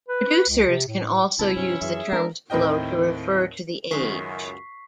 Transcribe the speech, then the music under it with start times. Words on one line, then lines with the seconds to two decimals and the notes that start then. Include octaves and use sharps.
Producers can also use the terms below to refer to the age.
0.08 B4
0.49 C#2
0.68 C3
0.87 A2
1.39 C#2 B2 E4 A5
1.56 G2 C3 C#4
1.82 F#2 E3 G#4 E5
2.12 G#3 C4 D4 A#4
2.50 D#2 A2 C4 A#4 D#5 G5
3.91 C#2 F#2 D#3 G#3 C#4 C#6 B6 C7